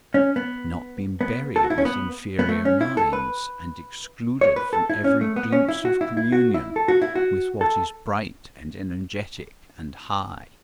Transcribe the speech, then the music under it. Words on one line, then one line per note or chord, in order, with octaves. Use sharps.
I have not been buried with inferior minds, and excluded from every glimpse of communion with what is bright and energetic and high.
C#4
B3
B3
A4
F#4
E4
C#4
B3
B3
A3
C#4
E4
A4
B4
C#5
B4
A4
E4
C#4
A3
B3
C#4
E4
F#4
E4
E4
F#4
E4
A4
F#4
E4
F#4
A4